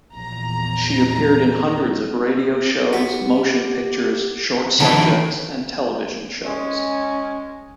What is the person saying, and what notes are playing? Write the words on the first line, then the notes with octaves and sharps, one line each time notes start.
She appeared in hundreds of radio shows, motion pictures, short subjects, and television shows.
A#1 E2 A#5
B3 G4
D3 E3 B3 E4 A5 A#5 D7
G#3 C#4